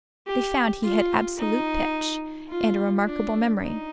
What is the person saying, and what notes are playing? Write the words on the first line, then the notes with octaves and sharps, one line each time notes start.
They found he had absolute pitch, and a remarkable memory.
G4
F4
D#4
F4
D4
D#4